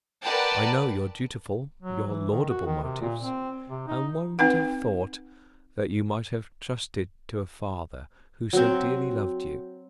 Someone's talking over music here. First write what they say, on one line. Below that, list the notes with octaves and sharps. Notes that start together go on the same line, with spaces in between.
I know your dutiful, your laudable motives; and one would have thought, that you might have trusted to a father who so dearly loved you.
A#4 B4 D5 F#5 G5 A5
F#3
E3
D#3
F#4
D#3
C3
A#2
C4
C3
D#4
C4 D#4 B4 F#5
F#3 C4